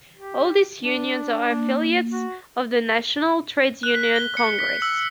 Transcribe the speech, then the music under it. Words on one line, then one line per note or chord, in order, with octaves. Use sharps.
All these unions are affiliates of the National Trades Union Congress.
G4
D4
A#3
F#4
F#6
B6
G7
C#7
B6
E6